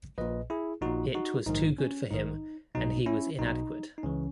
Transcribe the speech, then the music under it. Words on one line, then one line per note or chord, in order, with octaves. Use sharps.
It was too good for him, and he was inadequate.
A#1 A#2 B4 D#5
E4 G#4
A#1 A#2 D#4 F#4
D#4 F#4
A#1 G#2 D#3 D#4
C#4
A#1 G#2 D#3 D#4
B1 B2 D#4
C#4 E4
B1 B2 D#4
D#4
C#2 C#3 E3 C#4